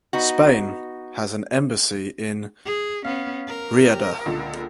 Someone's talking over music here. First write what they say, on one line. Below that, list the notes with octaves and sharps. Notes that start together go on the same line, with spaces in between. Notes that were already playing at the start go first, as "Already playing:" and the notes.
Spain has an embassy in Riyadh.
B3 D#4 F#4
G#4
B3 C#4 F5
A#4
G4
C#2 A#2 D3